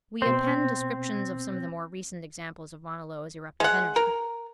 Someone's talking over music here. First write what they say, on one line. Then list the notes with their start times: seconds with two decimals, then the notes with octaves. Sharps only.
We append descriptions of some of the more recent examples of Mauna Loa's eruptive energy.
0.22 B2 C4 C5
3.60 G#3 F#5
3.96 A#4